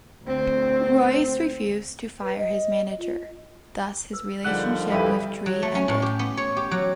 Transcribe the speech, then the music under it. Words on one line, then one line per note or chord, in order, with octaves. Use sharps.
Royce refused to fire his manager, thus his relationship with Dre ended.
D2 C4
B4
D#5
F4
B4 E6
D3 D#3 F3 G3 G#4 F#5 F#6
B1 F2 G3 E4 A4 B4 F5
F#3
A3
C#4
A2
G4
B3
C#5
G4
F#3